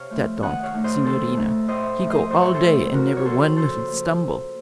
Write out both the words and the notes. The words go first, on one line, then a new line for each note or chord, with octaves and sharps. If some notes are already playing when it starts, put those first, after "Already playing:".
Zat donk', signorina, he go all day and never one little stumble.'
Already playing: C3 C#5 F5
F3 A3
D#3 D#5 F#5
C#5 F5
A3 D#4
C5 D#5
D#3 A4 C5
A3 D#4
A2 C5 D#5
F3 A3
C5 D#5
A2 C5
C#5
A4 C5
F3 A3
C#3 F#4 A#4
C#5
F3 A#3 A4 C5
C#3 A4 C5
F3 A#3